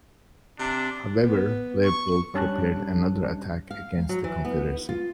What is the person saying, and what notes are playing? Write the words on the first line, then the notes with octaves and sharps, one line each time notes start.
However, Leopold prepared another attack against the Confederacy.
C3 D4
B3
C#6
F#2 G3 C#4 D4 A5 F#6
F5
F#3
E3
B3
F4